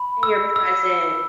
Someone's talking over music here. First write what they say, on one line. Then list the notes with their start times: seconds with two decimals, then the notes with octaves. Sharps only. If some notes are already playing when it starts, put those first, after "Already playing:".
And your present.
Already playing: B5
0.23 E6
0.56 E6